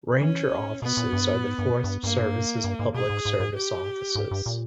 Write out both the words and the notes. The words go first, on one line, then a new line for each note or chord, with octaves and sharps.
Ranger offices are the Forest Service's public service offices.
E3 C#4
B2 B3
A#2
G2
A#2
G#2
G2
G2
G2 A#3
G2
G#2
B2 G#4
G#2
G#2
G#2
G4
G#2
G2
A#2